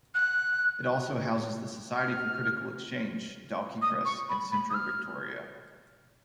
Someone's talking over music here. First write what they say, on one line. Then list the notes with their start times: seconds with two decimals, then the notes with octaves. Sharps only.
It also houses the Society for Critical Exchange, Dalkey Press and Centro Victoria.
0.14 F#6
1.98 F6
3.82 D#6
4.05 C#6
4.29 B5
4.52 B5
4.70 D#6
4.74 F6